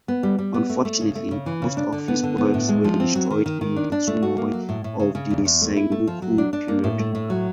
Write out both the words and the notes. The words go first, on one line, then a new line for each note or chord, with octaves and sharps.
Unfortunately, most of his works were destroyed in the turmoil of the Sengoku period.
B3
G3
G3
B3
A3
A3
C#3
A3
C#3
E3
C#3
D4
D3
B3
D3
B3
A2
G#3
F3
C4
F#3
D#3
D#3
D#3
D4
D4
A3
F#4
A#3
F#3
A2
A2
C#3
C#3
E2
E2
A3
E4
A3
F3
F#3
D4
D4
A#3
A2
A3
A2
F#3